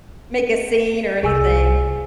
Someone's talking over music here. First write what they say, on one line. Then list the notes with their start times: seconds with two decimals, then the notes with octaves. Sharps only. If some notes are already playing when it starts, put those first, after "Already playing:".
Make a scene or anything.
1.23 C2 G#4 G#5 E6